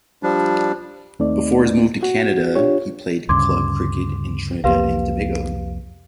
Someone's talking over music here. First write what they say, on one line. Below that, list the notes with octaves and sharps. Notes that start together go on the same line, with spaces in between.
Before his move to Canada he played club cricket in Trinidad and Tobago.
F3 G3 D4
D#2 A3 C4 D#4 D5
F#4
D4 F4 G4 C#5
D2 G2 C#3 C6 D6 G#6
C2 F2 A#3 G4 B4 F5